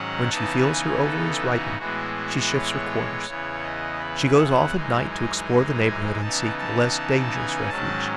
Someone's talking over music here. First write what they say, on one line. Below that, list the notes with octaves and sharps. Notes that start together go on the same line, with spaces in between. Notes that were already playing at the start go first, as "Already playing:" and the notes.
When she feels her ovaries ripen, she shifts her quarters; she goes off at night to explore the neighbourhood and seek a less dangerous refuge.
Already playing: G#2 D#3 F#3 C#4 F#5
C#3 E3 B3 D#4 A5
G#5
A4
F#4
A2 E3 G#3 B3 F#4
F#4
C#5
E2 C#3 E3 B3
D#5
B4
F#5
F#2 E3 G#3 D#4 G#5
G#5
G#5
C#3 E3 B3 D#4 A5
A5
G#5
G#2 D#3 F#3 C#4 A5